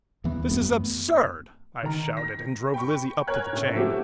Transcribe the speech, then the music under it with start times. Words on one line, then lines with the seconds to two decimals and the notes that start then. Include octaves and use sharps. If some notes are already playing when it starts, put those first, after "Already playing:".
"This is absurd," I shouted, and drove Lizzie up to the chain.
0.24 E2 E3 B3
0.51 F#2 A3 B3
1.82 D#3 A#5
2.17 A#6
2.74 G5 B5 C#6
3.27 A#4 C#5 G#5 F#6 G#6
3.53 A2 C#4
3.74 F3 F#3 A3 C4 F#4 G4